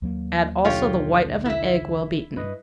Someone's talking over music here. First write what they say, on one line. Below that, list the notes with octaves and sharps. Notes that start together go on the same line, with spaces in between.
Add also the white of an egg well-beaten.
D#2 F#3 A#3
B1 D3 F4 G4 C#5
E4 E5
G2 B4 D#5